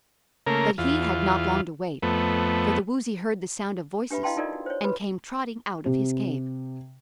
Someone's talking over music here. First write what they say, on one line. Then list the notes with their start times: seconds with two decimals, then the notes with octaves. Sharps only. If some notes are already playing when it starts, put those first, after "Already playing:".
But he had not long to wait, for the Woozy heard the sound of voices and came trotting out of his cave.
0.47 C#3 A3 A#3 A#4
0.78 E2 F4
2.03 F2 A3 B3
4.10 D4 G4 B4 E5 B5
4.23 E4 D#5 F5 G5 A5 C6
4.37 D#4 F4 A4 A#4 D5 D#5
4.53 F#4
4.66 C5 C#5
4.84 F#4 B4 B5
5.86 C3